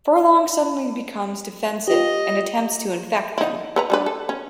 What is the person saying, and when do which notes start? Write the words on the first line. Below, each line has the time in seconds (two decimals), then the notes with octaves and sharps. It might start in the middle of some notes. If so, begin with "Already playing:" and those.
Furlong suddenly becomes defensive and attempts to infect them.
1.88 F4 G4 D#5
3.38 D#4 E4
3.76 A4 B4 A#5
3.90 G3 D4 B4
4.06 A4
4.29 C#4